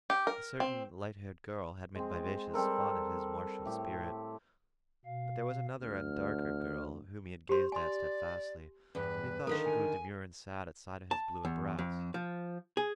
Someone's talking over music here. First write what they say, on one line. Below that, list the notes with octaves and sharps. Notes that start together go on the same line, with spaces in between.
A certain light-haired girl had made vivacious fun at his martial spirit, but there was another and darker girl whom he had gazed at steadfastly, and he thought she grew demure and sad at sight of his blue and brass.
G4
A#4
C4
G#3 C4
G3 C4 A4 A#4
A2 G4
B2 F5
D2 F6
G4 C5 C6
D5 G#5 C6
E2 G2 B4
D3 D#3 A4 A#4 F5
G#5
A5
E2
F2
F3
G#4